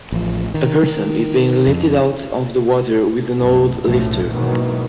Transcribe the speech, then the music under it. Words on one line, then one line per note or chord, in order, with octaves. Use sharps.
A person is being lifted out of the water with an old lifter.
A1 F3
D#3
F2
F#1 C2
F1 B1 F#2 A2 F3 A3
G#2 B2 D#3 E3 F#3 A#3